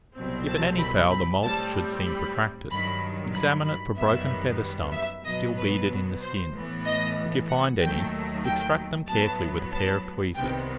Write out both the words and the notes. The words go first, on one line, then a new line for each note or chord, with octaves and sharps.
If in any fowl the moult should seem protracted, examine it for broken feather-stumps still beaded in the skin: if you find any, extract them carefully with a pair of tweezers.
C2 B2 F#3 C4
A5
B5
B5
A2 G3 C4 A5
B5
G2 D#3 F#3 B5
B5
B5
F#2 D#3 G3 B3 E5
E5
B2 F#3 B3 D#5
B4
C5
A2 E3 B3
D#5
F#5
D#2 D#3 F#3 A3 G5
G5
A2 F#3 B3 A5
A5
C2 C3 D#3 G3 B3 G5